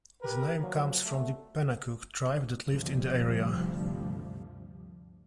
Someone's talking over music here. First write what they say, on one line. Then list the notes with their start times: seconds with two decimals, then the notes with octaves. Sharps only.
The name comes from the Pennacook tribe that lived in the area.
0.22 G4 A#4 B4
0.60 A#2 F3 F#3
1.04 A3
2.68 D2 G2 C3 F3 G3